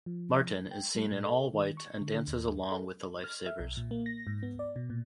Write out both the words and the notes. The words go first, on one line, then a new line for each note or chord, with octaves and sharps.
Martin is seen in all white and dances along with the lifesavers.
F3
G5
G3
A2
A4
D#3
C#6
D3
D3
D#2
A4
F6
E5
B1
A#2
A#3
A#6
G#2
B3
D5
B2
A#2